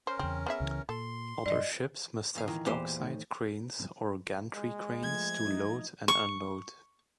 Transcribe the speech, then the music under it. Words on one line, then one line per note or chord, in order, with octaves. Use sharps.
Other ships must have dock side cranes or gantry cranes to load and unload.
C#4 A#4 C5
E2 C#3 C4
B3 G#4 E5
C#2 C#3 E3
A#2 A4 C6
G2 D5 D#5
A#2 F5
D#3 E3
E2 A#2 E3 G4 C5
A2 D#3
G#3
F3 A3 G#6
D#4 D#5
C#6